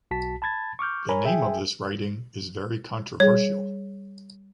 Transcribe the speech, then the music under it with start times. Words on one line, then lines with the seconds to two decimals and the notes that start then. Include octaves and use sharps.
The name of this writing is very controversial.
0.11 B1 F#4 A5 B6
0.42 A5 B5 G#6 A6
0.79 C#6 D6 F6 G6
1.09 A#4 C#5 G#5 A#5 B5
1.24 G#4 E5 G5 G#5
3.20 G3 G#4 C#5